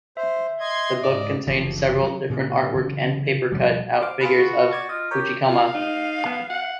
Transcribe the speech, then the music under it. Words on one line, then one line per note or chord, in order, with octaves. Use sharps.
The book contains several different artwork and paper cut out figures of the Fuchikoma.
C5 E5
D#5 C6 G#6
G#2 D5
F#1 E3 F3
F#3
A#2 C#3
C#3 E3 F#3 C#4
B2 F3 G3
C5 F5 D6
F4 G#4 B4
F#4
D5 G#6 A6
F4 D#5
G4 A#4 C#5
F4 F5
D#4
B3
F#5